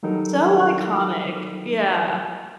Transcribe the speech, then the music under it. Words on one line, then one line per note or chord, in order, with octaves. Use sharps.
So iconic. Yeah.
D#3 F#3 G3 D#4 A4 A#4